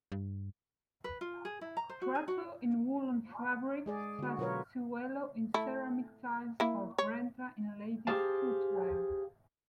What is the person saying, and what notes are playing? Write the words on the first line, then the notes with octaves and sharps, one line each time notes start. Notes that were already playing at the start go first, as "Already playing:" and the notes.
Prato in woollen fabric, Sassuolo in ceramic tiles or Brenta in ladies' footwear.
G2
B4
F4
G#4
E4
A#5
C5
F#4
G#4
F#4
G#3 G#4 D5
D3 F#4
B2 F#3 F4 A#4 B4 C#5
A3 E4
A#3 E4
C#5
G4 G#4 C5 F5 A5